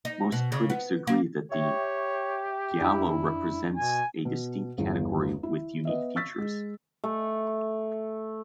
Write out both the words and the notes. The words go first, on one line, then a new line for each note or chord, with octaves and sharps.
Most critics agree that the giallo represents a distinct category with unique features.
D#4
B2
C#3
B3
A#3
G4 C#5 E5 G5 C#6
F2 D4 E4
B2 G#5
B2
G1 E2
E4
B3 D#5 E5
C#6 E6 A6 B6
G#3
A3